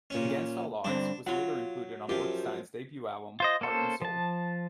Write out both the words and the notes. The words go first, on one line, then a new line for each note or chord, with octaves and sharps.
"Against All Odds" was later included on Brookstein's debut album "Heart and Soul".
A#2 C#4
G2 D3 C4 D4
F#3 F4 F#5
F#2 F3 G4
F4 C5 D#5
A#3 C#4 A4 C5
F3 A5